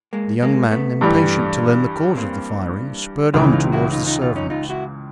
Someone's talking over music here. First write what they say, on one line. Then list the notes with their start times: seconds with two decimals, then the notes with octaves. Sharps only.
The young men, impatient to learn the cause of the firing, spurred on toward the servants.
0.13 G#3 A#3
0.42 G#3 A#3
0.71 A3 B3
1.01 G2 E3 G3
2.17 A#3 C4
3.34 C#2 C#3 E3 D4 E4
3.53 D#4 F4
3.72 E4 F#4
3.92 D#4 F4
4.06 D#4 F4
4.22 D#4 F4
4.36 C#4 D#4
4.50 D#4 F4
4.70 E4 F#4